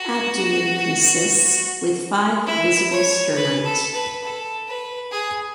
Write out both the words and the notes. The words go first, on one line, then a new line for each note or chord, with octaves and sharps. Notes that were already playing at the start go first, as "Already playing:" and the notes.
Abdomen consists with five visible sternite.
Already playing: F#4
E4
C#5
B4
A4
B4
A4
B4
G#4